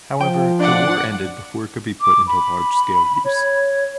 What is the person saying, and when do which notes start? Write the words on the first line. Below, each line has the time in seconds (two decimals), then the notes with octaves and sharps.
However, the war ended before it could be put into large scale use.
0.21 F3 G5
0.60 A2 D4 D5 F#5
2.01 D6
2.28 B5
3.25 C#5